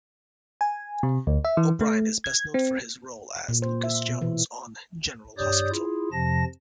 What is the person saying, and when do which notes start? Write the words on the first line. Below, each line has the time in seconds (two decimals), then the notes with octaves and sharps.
O'Brien is best known for his role as Lucas Jones on "General Hospital".
0.61 G#5
1.03 C3
1.27 D2
1.45 E5
1.57 E3
1.81 A3
2.24 G#6
2.54 C4
3.49 A#2
3.62 C5
3.84 E5
4.09 B2
4.21 E3
5.38 G2 G4 C#5 D5 D#6 G6
5.71 E4 F4 G#4
6.12 F2 C3 F3 A5 A#6